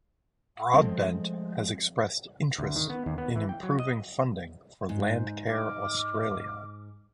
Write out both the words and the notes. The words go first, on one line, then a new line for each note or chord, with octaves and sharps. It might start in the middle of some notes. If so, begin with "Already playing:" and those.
Broadbent has expressed interest in improving funding for Landcare Australia.
F3 G#3 A3 C4
D2
D#3
B3
D#2
B3
E3
G5
F#3
D#5
G#2 C5
D#5 D6 F6